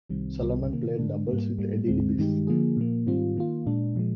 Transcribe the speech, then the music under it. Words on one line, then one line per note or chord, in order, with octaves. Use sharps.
Solomon played doubles with Eddie Dibbs.
C2 C3 D#3 G3 C4
C2 C3 D#3 G3
C3 D#3 A#3
D3 G#3 D4
G#2 G3 A#3
G#2 G3 A#3
D2 D3 G#3 C4
G2 D#3 G#3 D#4 G4
D3 F3 A#3 F4 G#4
A#2 F3 A#3
G#2 D#3 G3 C4 F4
D#3 A#3 F4
A#2 G#3 D4
A#2 F3 G#3